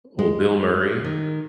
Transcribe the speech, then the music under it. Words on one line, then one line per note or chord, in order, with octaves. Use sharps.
Ooh, Bill Murray?
G#3
D#3